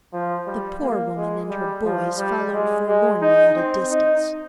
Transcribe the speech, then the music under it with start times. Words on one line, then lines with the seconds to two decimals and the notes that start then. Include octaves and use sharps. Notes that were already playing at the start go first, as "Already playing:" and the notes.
The poor woman and her boys followed forlornly at a distance.
0.13 F3
0.47 G3
0.81 A#3
1.16 G#3
1.50 G3
1.85 F3
2.18 G3
2.53 G#3
2.88 G#3
3.22 D#4
3.56 C4
3.90 D#4